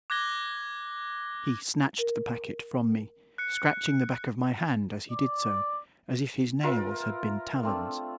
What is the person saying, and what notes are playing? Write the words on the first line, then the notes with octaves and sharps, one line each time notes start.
He snatched the packet from me, scratching the back of my hand as he did so, as if his nails had been talons.
D6 F#6 G#6 A#6 G7
A#4
F#6 C#7
D5
F4 A#4 B4 E5
A3 C4 D4